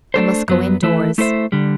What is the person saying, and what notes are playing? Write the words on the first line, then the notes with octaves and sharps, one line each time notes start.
I must go in-doors.
A3 D4 A4 C5
F#2 F#3 B3
E3 A3 E4 A4
A3 E4 A4 C5 E5
D3 G3